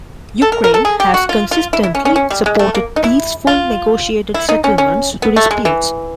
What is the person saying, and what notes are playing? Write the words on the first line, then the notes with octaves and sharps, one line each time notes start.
Ukraine has consistently supported peaceful, negotiated settlements to disputes.
A4
A#4
A#4
A4
G#4
G4
F#4
F4
F4
E4
E4
C#4
C#4
C#4
G3
G#3
A3
A#3
D#4
E4
F4
E4
D#4
C#4
C#4
B3
A3
G#3
E3